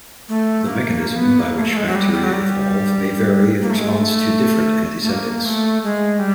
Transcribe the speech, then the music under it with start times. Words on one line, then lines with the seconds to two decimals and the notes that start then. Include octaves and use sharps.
The mechanism by which bacteria evolve may vary in response to different antiseptics.
0.29 A3
0.65 A#3
0.90 A#3
1.15 B3
1.39 A#3
1.58 A3
1.70 A3
1.77 G#3
1.87 F#3
1.95 G3
2.13 G3
2.23 F#3
2.32 G3
3.62 A#3
3.70 A3
3.79 G#3
3.87 A3
5.03 A3
5.09 A#3
5.45 A3
5.83 G#3
6.19 G3